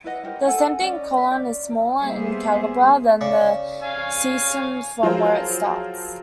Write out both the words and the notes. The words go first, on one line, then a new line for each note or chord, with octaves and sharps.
The ascending colon is smaller in calibre than the cecum from where it starts.
E4 B4 D#5 F#5
E4 G4 A#4 C5
A4 F#5 G#5
C#4 D5 D#5
E5
C#4 D5
G3 A#3 B3 G#4 C5 E5
C#3 D5 C#6
C#5 F5 G#5
F3 F#3 F4 G#4 A#4 C5